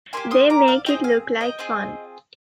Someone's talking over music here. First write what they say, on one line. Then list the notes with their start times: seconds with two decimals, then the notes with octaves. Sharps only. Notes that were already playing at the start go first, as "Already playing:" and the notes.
They make it look like fun.
0.13 A#3 D4 G4 G#5 C6
0.31 C6 D#6
0.50 A#5 D6
0.68 D5 F5
0.86 C4 F4 G#4 D#5 G5
1.04 F5 G#5
1.41 D#5 G5
1.59 C4 F4 G#4